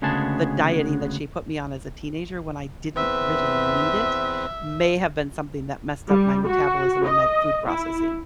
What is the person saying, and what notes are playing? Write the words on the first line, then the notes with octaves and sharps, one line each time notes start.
the dieting that she put me on as a teenager, when I didn't really need it, may have been something that messed up my metabolism and my food processing.
D2 C#3 G#3 B3 G#4 A5
E2 C4 B4 E5
G3
F#4
D#5
E4